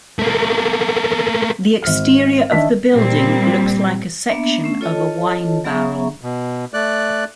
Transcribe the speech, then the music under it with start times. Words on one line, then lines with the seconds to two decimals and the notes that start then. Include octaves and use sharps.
The exterior of the building looks like a section of a wine barrel.
0.19 A3 A#3
1.83 G#1 F6
2.52 D#3 D4 E5 B6
2.93 A#2 G3 C4
4.29 A#3 B3 D4 E5
4.64 A3 C#4
4.81 F4 A4 C#5 D#5 A5
5.64 F#3 B3 G#4 E5 A#5 C#6
6.21 B2
6.74 A3 D5 F#6